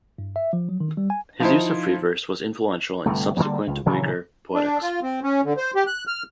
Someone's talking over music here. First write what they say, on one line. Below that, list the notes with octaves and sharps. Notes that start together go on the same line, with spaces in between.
His use of free verse was influential in subsequent Uyghur poetics.
G2
E5
F3
F#3
D#3
G3
G#5
F3 D#4 E4 C5
G1 G2 C3 A3
D3 F#3 G3 A#3
C#2
A#1 C#3 E3 F#3
D4
F4
C4
C#4
D3
C5
G4
F#6
F6